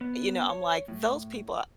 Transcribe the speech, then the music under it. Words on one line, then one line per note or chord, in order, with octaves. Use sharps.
you know, I'm like "Those people
B3
C#5
A2